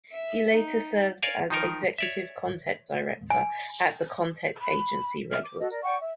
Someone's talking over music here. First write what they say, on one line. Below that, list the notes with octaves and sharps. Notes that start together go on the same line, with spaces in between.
He later served as Executive Content Director at the content agency Redwood.
E5
D#4
A#4 C#5 D5 F5 G#5
D#3 F3 D#4 A#4
C#5 D5 E5
G#5
B5
E5 F6
D6
F#4 A4 D#5
A#4 D5
D5 F#5 G5 C#6
E5